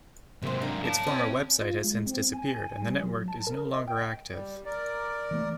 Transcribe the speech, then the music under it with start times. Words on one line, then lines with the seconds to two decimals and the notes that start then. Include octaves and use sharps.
Its former website has since disappeared and the network is no longer active.
0.42 G#2 C3 F#3 A#3 B4 C5
0.62 A#3 D4
0.84 C#5 A5
1.07 C4 C#4 E4
1.61 F4
1.84 G#3
2.06 C4
2.33 G#5
2.82 G3
3.04 F#3
3.28 A5
3.47 A#4
3.73 D#5
3.87 G5
4.30 G3
4.65 A#4 D5
5.31 E3 A3 A#3